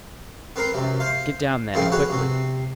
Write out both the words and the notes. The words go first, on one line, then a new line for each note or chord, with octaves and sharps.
"Get down then and quickly."
B3 C4 A#4 C6
F#2 C3
C5 F5
F#2 A2 C#3 F3 C4 C#4
F#4 G#4 B4 C#5
C3 C4